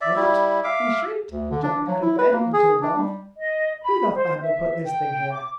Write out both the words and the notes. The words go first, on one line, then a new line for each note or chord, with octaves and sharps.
"What!" he shrieked, jumping out of bed into the bath; "Who the thunder put this thing here?"
D5 E5
G3 E4
E5 F5 D6
D2
D3
D4
F#3
E4
B4
A#3
G#4
D4
G3
D#5
B5
C5
E5
G5
D6